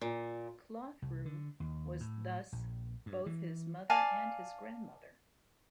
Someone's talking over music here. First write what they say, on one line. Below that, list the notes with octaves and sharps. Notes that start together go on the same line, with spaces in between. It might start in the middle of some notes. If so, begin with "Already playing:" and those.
Clothru was thus both his mother and his grandmother.
A#2
C2
D3
D#2
A2
A#1
G2
E3
D5 F5 G#5 A5